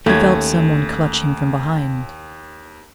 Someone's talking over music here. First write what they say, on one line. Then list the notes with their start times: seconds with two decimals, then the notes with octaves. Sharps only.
He felt some one clutch him from behind.
0.06 D#2 A3 C#4 G#6